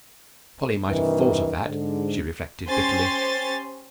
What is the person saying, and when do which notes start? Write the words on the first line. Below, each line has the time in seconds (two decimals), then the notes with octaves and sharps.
Polly might have thought of that, she reflected, bitterly.
0.88 G2 C3 D#3 E3
1.67 G#2 D3
2.68 C#4 G4 C5 G#5 C6 A6